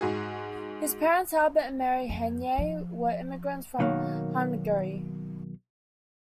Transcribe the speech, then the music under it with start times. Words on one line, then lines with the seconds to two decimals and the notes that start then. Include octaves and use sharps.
His parents, Albert and Mary Henyey, were immigrants from Hungary.
0.01 G#2 F#4 G#4
2.09 F2
2.58 F3
3.79 B1 B2 D#3 F#3 G#3 A#3